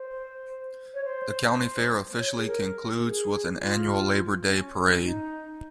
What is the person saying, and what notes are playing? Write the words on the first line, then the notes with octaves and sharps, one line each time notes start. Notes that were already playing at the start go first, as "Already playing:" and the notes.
The County Fair officially concludes with an annual Labor Day parade.
Already playing: C5
C#5
C5
C#5
G#4
A#4
G#4
D#4
F4
C#4
D#4